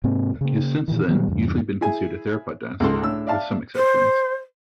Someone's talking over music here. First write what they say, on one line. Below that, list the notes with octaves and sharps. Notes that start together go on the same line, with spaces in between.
It has since then usually been considered a theropod dinosaur, with some exceptions.
G#2 C3 A#3 C4
C#3 A#3
A#2 D#3 E3
D#3 F#3 G3 B3
E2 G2 C#3
E4 G#4 G#5
C#2 G#2 A4 C6
A2 D4 E6
D5 E5 F5 A5
C5